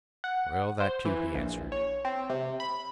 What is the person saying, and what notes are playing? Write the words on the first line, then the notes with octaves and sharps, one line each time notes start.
Well, that too he answered.
F#5
C5
E3
A#1
C#5
C4
C3
B5